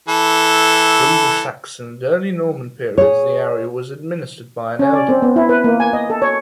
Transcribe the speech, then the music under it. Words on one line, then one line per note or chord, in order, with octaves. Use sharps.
Through the Saxon and early Norman periods the area was administered by an elder.
E3 A4
G#4 C#5
C#4
D5
C4
B3
E4
B4
A#3
G#5
D#5
A4
C#5